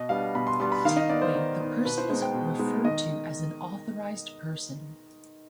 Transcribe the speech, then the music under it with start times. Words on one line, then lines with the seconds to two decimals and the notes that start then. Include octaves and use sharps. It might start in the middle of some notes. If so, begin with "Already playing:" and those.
Typically, the person is referred to as an authorised person.
Already playing: B2 D#5
0.09 G3 B3 D4 F5
0.35 B2 B5
0.47 C6
0.60 G3 B3 D4 C6
0.72 B5
0.85 D#3 F5
0.97 D#5
1.10 B3 D#4 D5
1.22 C5
1.35 D#3
1.60 B3 D#4
1.85 B2 B4
1.98 C5
2.09 G#3 B3 D#4 C5
2.22 G5
2.34 B2
2.59 G#3 B3 D#4
2.84 D#3 D#5